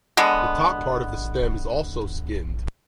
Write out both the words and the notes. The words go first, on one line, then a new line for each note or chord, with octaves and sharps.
The top part of the stem is also skinned.
D3 G#3 B3